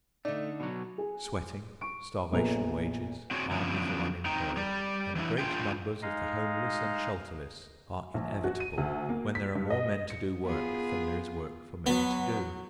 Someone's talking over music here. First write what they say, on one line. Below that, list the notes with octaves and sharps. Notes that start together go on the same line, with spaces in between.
Sweating, starvation wages, armies of unemployed, and great numbers of the homeless and shelterless are inevitable when there are more men to do work than there is work for men to do.
D3 A3 D#4 D5
B2 F#3
G#4
C#6 D7
A#1 A#2 B3 A4 A#5 F7
C4 D4 F#4 G#4 C#5
D3 F3 F#3 B3 C#4 D4
C4 D#4 G5 A#5
G3 G4 D5
E3 F#3 D4 E4
D4 F4 G#4 G5
G#3 D#4 D#5 F5
A#1
F#4
D#7
D2
A#3
B6
G2
D#5
C#7
B3 F4 G#4
F#3 B3